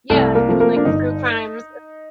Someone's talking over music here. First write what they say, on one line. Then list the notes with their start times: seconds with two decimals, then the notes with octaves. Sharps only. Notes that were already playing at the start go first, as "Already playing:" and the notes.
Yeah, it could be like True Crimes,
0.10 C2 A3 A4
0.35 A#3 A#4
0.48 C3 F3 A3
0.60 A#3 A#4
0.77 D4
0.85 G1 D#4